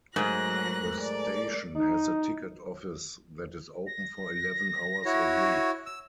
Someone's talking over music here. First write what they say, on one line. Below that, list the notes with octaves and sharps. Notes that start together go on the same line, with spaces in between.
The station has a ticket office that is open for eleven hours a week.
G#2 F#3 G#3 A3 A#4 F#6 A#6
D5
D#4
A#6
E4 F#4 C#5
E6